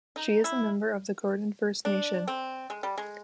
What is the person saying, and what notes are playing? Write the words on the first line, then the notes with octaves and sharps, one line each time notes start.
She is a member of the Gordon First Nation.
D#4
E4
D4
C4
G#3
G3
G#3